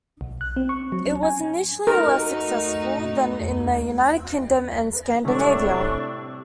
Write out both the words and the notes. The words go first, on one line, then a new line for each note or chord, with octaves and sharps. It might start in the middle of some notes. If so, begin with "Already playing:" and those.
It was initially less successful than in the United Kingdom and Scandinavia.
B1
F#6
C4
C#6
F#3
C#4
G#5
A3 D#4 F#4 A#4
A2 C3 G3 D4 C#6